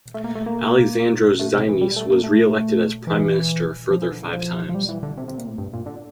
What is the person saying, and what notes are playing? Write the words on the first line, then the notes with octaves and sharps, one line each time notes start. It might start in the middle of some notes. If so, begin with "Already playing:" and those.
Alexandros Zaimis was re-elected as Prime Minister a further five times.
A3
A#3
A3
A#3
A3
C3
E3
G3
A3
A#3
A3
E3
F3
E3
D3
D3
F3
F3
G3
E3
D3
C3
C3
A#2
A2
G2
A#2
D3